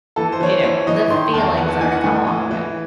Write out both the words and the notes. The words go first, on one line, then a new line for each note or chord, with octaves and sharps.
you know, the feelings that are gonna come along with it.
E3 A4
C5
E3 C#5
C5
E3 C#5
E3 D#5
D#3 C6
E2 A5
E3 F#5
A5
E3 G#5
F#5
A2 G#5
E3
E3